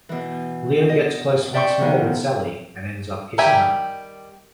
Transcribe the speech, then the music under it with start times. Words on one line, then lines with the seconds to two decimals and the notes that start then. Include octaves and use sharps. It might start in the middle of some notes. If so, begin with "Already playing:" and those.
Leo gets close once more with Sally, and ends up kissing her.
0.09 B2 E3
0.89 D#5
1.54 D5 E5 G5 C6 C#6
1.79 B2 D3 D#3 F3 B3 D#4
3.38 D#3 G3 G4 E5 G#5